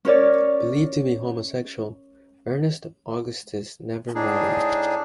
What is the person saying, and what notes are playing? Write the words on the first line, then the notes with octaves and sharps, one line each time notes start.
Believed to be homosexual, Ernest Augustus never married.
C#4 A#4 C#5 D5
A2 D4 D#4 G#4